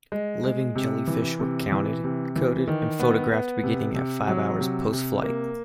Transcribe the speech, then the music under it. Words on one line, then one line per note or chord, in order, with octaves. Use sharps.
Living jellyfish were counted, coded, and photographed beginning at five hours postflight.
G#3
G#3
C3
E3
C3
E3
C3
E3
D#3
B3
B3
C3
C3
F#3
C3
C3
A#3